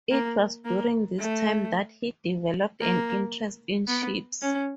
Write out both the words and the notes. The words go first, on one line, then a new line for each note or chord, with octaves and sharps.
It was during this time that he developed an interest in ships.
A#3
A#3
A3
A#3
B3
C#4